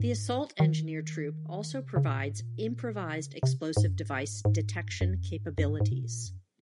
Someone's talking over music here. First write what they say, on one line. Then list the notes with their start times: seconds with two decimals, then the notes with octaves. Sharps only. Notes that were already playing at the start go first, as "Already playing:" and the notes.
The Assault Engineer Troop also provides Improvised Explosive Device detection capabilities.
Already playing: G#2
0.60 D#3
1.73 C#3
1.84 C3
1.96 C#3
2.07 A#2
2.18 G#2
2.41 A#2
3.09 C3
3.20 C#3
3.43 C3
3.77 G#2
3.88 F#2
3.99 G#2
4.45 G#2
4.90 F#2
5.01 F#2
5.12 F2
5.23 F#2
5.35 G#2
5.47 F#2
5.58 F#2
5.69 G#2
5.80 G#2
5.92 C3
6.03 A#2
6.26 F#2